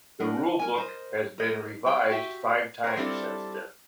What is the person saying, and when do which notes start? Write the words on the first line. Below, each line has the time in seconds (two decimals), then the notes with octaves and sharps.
The rulebook has been revised five times since then.
0.20 D4 A#4 D#5 F#5
0.59 A#4 G#5
0.76 A#4 C5 D#5
1.38 A#4 D#5
1.86 G5
2.11 F#4 G4 E5 G5
2.84 A#4 C5
2.97 G3 C4 D4 E4 F4 A4